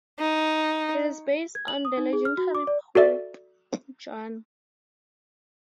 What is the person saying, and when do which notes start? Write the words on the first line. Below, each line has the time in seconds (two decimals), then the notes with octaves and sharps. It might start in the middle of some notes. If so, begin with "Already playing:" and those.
It is based on the legendary Pope Joan.
0.19 D#4
1.55 G#6
1.68 F#7
1.85 D#6
1.98 D#4
2.13 G#4
2.25 F6
2.38 F#4
2.55 D6
2.67 D5
2.95 F#4 A4 D5 E5